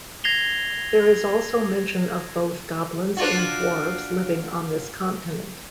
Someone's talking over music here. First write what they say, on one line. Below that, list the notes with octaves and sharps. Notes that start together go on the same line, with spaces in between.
There is also mention of both goblins and dwarves living on this continent.
G#6 A#6 C7 F7 G7
D4 F4 F#4